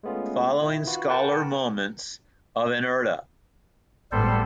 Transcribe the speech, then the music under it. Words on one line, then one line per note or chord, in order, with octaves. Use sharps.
Following are scalar moments of inertia.
G#3 A3 B3 C#4 F4
D#3 E4
F4 F#4 B4
A#4 B4 F#5 G5 A5
G#1 A2 G3 B3 A4 C5